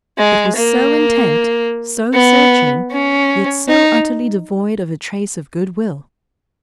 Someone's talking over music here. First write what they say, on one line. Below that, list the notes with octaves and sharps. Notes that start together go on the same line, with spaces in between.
It was so intent, so searching, yet so utterly devoid of a trace of good will.
G#3
A#3
B3
C#4
D#4